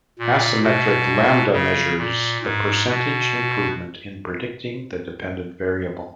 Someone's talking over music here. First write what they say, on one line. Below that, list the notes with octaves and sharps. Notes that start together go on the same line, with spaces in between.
Asymmetric lambda measures the percentage improvement in predicting the dependent variable.
A#2
B2
C#3
A#2
G#2
B2